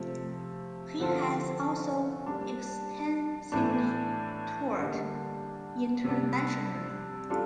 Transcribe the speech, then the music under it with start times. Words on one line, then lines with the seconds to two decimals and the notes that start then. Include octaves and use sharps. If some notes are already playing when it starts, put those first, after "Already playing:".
He has also extensively toured internationally.
Already playing: C3 F3 A3
1.00 D3 F3 C4 F4 A4
2.26 G3 A#3 D4
3.52 A2 E3 A3 D4
4.78 D3 G3 A#3 D4
6.04 C3 G3 D4
7.30 G3 D4 F4 A4